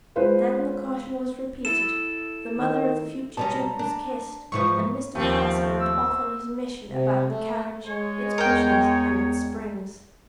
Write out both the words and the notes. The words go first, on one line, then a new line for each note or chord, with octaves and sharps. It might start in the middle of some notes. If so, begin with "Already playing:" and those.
Then the caution was repeated, the mother of the future duke was kissed, and Mr. Palliser went off on his mission about the carriage, its cushions, and its springs.
G#3 F4 B4 C5 F5
E4 A4 E7
D#3
B2 G3 C#4 A5 A#5
D4
G#2 E3 F3 C#6
D#2 F3 A3 C4
E6
C3
A3
G#3 C#5
E2 A#4 G5